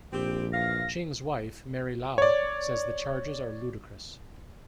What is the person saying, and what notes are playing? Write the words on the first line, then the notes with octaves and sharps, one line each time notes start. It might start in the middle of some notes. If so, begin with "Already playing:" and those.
Ching's wife, Mary Lau, says the charges are ludicrous.
A#1 C4 G4
A#2 E3 F5 A#6
C#5 D5